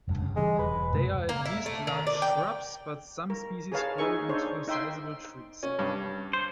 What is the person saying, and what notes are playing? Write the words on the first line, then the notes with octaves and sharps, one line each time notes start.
They are at least large shrubs but some species grow into sizeable trees.
F1 G2
G2 C#3
E3 G3 G#3
E1 B4
F#2 C3 G#3
A#3
E4
A3
D#3
D5
G5
A#4
G#4 A#4 B4 C#5 F5 A5
D#4 G#4 E5 G#5 C#6
D4 D#4 A4 C5 C#5
D#4 E5 G5 C6
C#4
G2
C5